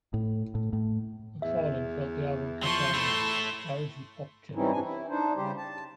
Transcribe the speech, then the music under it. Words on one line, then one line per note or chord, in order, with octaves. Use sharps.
McFarlane felt the album contained "garagey pop gems".
A2
A2
A2
E2 E5
F3 F#3 C6 C#6
A3 E4
E3 G3 C4 C#4 D#4 E4
F#2 C3 D4 G#5
E4
D4 D#4 C5
C#3 G3 G4 C5
A5